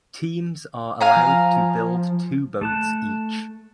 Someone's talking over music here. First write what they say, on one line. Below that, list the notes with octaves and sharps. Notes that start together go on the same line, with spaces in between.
Teams are allowed to build two boats each.
F5 G#5 A#5
F3
A3 A5 F#6